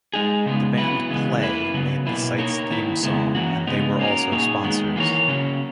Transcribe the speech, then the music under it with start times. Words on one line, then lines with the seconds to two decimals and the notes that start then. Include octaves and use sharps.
The band Play made the site's theme song and they were also sponsors.
0.14 G#3 D#4 G#4
0.46 C#3 G#3 B3
0.77 F#3 B3 E4 B4
1.10 C#3 E3 G#3 B3
1.42 A#3 E4 B4
1.74 C#3 F#3 B3
2.07 B2 A#3 E4 B4
2.38 A#3 D#4 A#4 C#5
2.70 D#3 A#3 E4 B4
3.03 C#3 G#3 B3 E4
3.35 E3 A#3 C#4 F#4
3.67 C#3 G#3 B3 D#4
3.99 A#3 C#4 F#4 A#4
4.31 A#2 A#3 D#4 G#4 C#5
4.63 D#3 G#3 B3
4.96 E3 A#3 E4 A#4 C#5
5.28 C#3 F#3 A#3 C#4